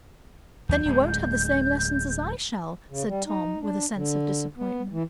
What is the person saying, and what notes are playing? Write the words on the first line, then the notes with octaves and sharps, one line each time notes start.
"Then you won't have the same lessons as I shall?" said Tom, with a sense of disappointment.
D#2 F#3 G6
D1 G#3
C#3
G3
D#4
D4
D3
B3
E3